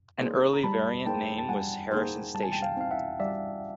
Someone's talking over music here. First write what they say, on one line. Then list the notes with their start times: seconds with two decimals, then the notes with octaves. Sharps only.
An early variant name was Harrison Station.
0.21 A#3 D#4 G#4 C5
0.53 A#5
0.64 G3 A5 B5
1.06 A#3 D#4 G#4 C5 G5 A5
1.39 A5
1.49 G3 F#5 G#5
1.91 A#3 D#4 G#4 C5
2.35 G3 A5
2.43 G#5
2.52 G5 A5
2.62 F5 G5
2.77 C4 D#4 F5
2.91 E5 F#5
3.20 G3 D5 E5